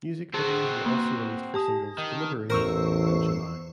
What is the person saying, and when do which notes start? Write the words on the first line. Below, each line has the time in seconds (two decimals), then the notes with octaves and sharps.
Music videos were also released for singles "Delibration" and "July".
0.34 C4 F#4 G#4
0.86 A#3
1.54 G4 A5 D#6
1.98 D#3
2.50 A1 E2 A#4 C5 C#6 E6